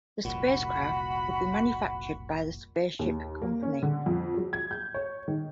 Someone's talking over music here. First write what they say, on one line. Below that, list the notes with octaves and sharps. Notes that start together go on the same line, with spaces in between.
The spacecraft would be manufactured by The Spaceship Company.
F1 C2 A#2 F#4 B5
D#2
A#3
C#4
D3
F2
F#3
G#6
G6
C#5
D#3